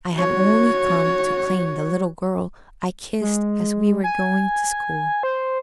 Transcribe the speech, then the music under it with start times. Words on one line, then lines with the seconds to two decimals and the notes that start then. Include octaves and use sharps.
"I have only come to claim the little girl I kissed as we were going to school."
0.16 F#4 C#5
3.21 G#3
4.04 G#5
5.23 C5